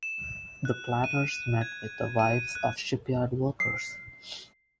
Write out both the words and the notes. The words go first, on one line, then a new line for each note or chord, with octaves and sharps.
The planners met with the wives of shipyard workers.
E7
F#6
D#7
G#6
D#7
F#6
C7